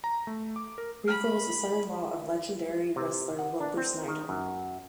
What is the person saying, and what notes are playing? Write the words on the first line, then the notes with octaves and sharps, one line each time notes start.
Regal is the son-in-law of legendary wrestler Wilbur Snyder.
A#5
A3
D6
A#4
B5 F6
C3
F#5
D4
C4
D#3
F#2